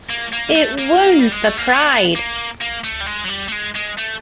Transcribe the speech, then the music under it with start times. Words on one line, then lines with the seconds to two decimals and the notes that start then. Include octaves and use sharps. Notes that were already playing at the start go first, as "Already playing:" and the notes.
It wounds the pride.
0.09 A#3
0.32 A#3
0.55 A3
0.78 A#3
1.19 G3
1.32 G#3
1.44 A3
1.57 A#3
1.70 B3
2.15 A#3
2.61 A#3
2.84 A3
3.01 G3
3.06 G#3
3.25 F#3
3.29 G3
3.48 A3
3.52 G#3
3.75 G#3
3.98 A3